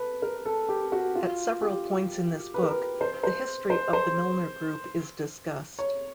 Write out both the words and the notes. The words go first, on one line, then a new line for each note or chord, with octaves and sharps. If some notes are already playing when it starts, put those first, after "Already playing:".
At several points in this book, the history of the Milner group is discussed.
Already playing: A4 B4
A#4
A4
G4
F#4
F4
G4
B4
A#4
B4
C5
C5
C5
C5
C#5